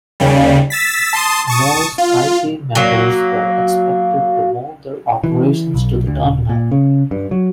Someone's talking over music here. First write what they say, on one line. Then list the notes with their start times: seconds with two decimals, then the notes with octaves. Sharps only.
More SkyTeam members were expected to move their operations to the terminal.
0.20 D#2 C#3 G3
0.70 E6 A6 B6
1.13 A5 C6 D#6
1.47 A5 C#6 D#6
1.98 F4
2.75 F#3 A#3
5.24 E3
5.74 B1
6.07 D2
6.23 D#1
6.49 A#2
6.71 C#3
7.11 G2
7.31 F#3